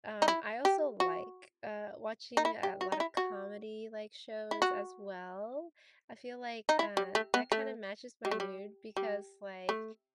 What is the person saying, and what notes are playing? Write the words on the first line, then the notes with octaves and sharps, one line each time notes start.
um, I also like, uh, watching a lot of comedy, like, shows as well, I feel like, uh, that kinda matches my mood because, like,
D#4
E4
G4
F#4
D#4
E4
G4
F#4
D#4
E4
F#4
E4
F#4
D#4
E4
G3
A3
B3
A3
G3
A3
G3
G3
A3